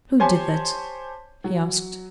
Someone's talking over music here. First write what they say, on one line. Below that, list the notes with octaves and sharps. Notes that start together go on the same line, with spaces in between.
"Who did that?" he asked.
G4 C5 C#5 G#5 A5
F#3